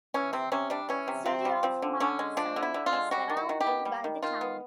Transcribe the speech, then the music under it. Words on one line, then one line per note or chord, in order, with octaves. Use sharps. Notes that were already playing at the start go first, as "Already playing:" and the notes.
The city of Markesan is surrounded by the town.
E3 C#4
C3 C4
C3 C#4
G3 D4
E3 C#4
C3
C3 C4
G3
F3 C4
D3
D3 C#4
G#3
F3 D4
D3
E4
D3
F4
G#3
G3 F#4
D#3
F#4
D#3
G4
B3
G3
D#3
D#3 F4
B3